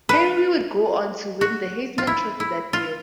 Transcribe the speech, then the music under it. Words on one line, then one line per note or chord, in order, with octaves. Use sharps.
Henry would go on to win the Heisman Trophy that year.
B4
F#4
F4
E4
E4
F4